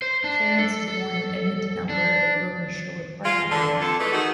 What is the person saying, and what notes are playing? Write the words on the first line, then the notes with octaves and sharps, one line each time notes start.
Ference was born in Edmonton, Alberta, but grew up in Sherwood Park, Alberta.
C5
D4
A4
A4
D4
G#3 F4
D3
F2 A4
E3 G#3 A3
D#3 F#4 G#4